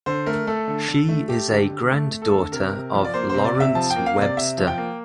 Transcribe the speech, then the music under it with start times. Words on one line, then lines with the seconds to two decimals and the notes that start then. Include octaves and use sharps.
She is a granddaughter of Lawrence Webster.
0.06 D3 C5
0.26 A3 A#4
0.47 A3 A4
0.68 D3
0.88 D3
1.09 A3
1.29 A3 G4
1.50 D3
1.70 D3
1.91 A3
2.11 A3
2.22 A4
2.32 D3
2.52 C3 A#4
2.73 C3
2.93 F3
3.05 D5
3.14 A#3 C5
3.29 C3 C5
3.45 D5
3.55 C3
3.60 E5
3.75 F3 A5
3.90 G5
3.96 A#3
4.06 F5
4.16 C3 D5
4.37 C3 E5
4.57 F3
4.68 G5
4.78 A#3